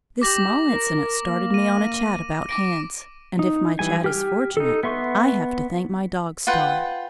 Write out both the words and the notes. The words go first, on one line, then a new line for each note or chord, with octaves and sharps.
This small incident started me on a chat about hands, and if my chat is fortunate I have to thank my dog-star.
G4 D6 A#6 F#7
A#4
A#3
D#7
D6 A#6 D7
D#4
E3 G3 G#5
G4 G5 F6
D#4 A4
B3 E5 C6 C#6
F4 B4 F#5 G5